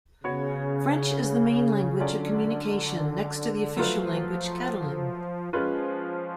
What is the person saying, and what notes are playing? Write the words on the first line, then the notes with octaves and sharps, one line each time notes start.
French is the main language of communication next to the official language, Catalan.
C#3 B3 F#4 C#5
D3 F#3 C#4 F4 A4 D5
F3 F#3 A3 F4 B4
F3 G#3 C#4 F4 B4